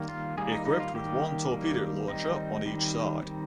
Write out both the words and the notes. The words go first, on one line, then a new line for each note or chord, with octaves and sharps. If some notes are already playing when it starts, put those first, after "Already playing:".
Equipped with one torpedo launcher on each side.
Already playing: D#3 G3 A#3
F4
D#3 G3 A#3 G#4
D#4
D#4
F4
D#3 G3 A#3 G4
D#3 G3 A#3
D#3 G3 C4 D#4
D#3 G3 C4
D#3 G3 C4